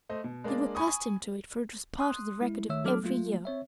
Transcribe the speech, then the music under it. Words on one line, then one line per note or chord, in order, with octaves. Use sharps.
They were accustomed to it, for it was part of the record of every year.
A3 C5 D#5
B2
G#3 A#3 D4 D5
G#5 B5 C#6 D#6
C6 D#6 F#6
G#3 E4
D#3 A3 C#5 E5 E6
F#3 B3 D4 A4 D6 F6
F#3 A3 A#3 F4
C4 C#5 E5